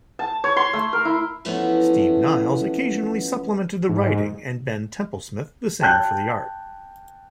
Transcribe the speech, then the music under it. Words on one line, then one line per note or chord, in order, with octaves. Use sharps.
Steve Niles occasionally supplemented the writing and Ben Templesmith the same for the art.
A5
C#5
C6
A3
A#4
E4
E3 F3 A3 B3 C#4 E4
G#2
G5 A5 F#6 G6